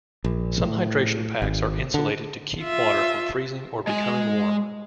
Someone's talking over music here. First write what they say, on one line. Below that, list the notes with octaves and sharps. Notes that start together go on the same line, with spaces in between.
Some hydration packs are insulated to keep water from freezing or becoming warm.
A#1
A2
G#1
D3
F4 E5
G#3 G#5